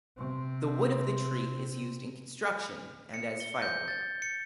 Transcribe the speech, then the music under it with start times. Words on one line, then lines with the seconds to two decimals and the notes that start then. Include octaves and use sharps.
The wood of the tree is used in construction and as firewood.
0.18 C3 C4
3.14 C#7
3.40 G7
3.62 G6
3.88 A6
4.22 C#7